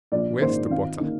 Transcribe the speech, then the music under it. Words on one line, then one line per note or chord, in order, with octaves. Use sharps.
"Where's the butter?"
A#1 D5
G#2 D#3 A#3 C5
G#1 F5
D#3 A#3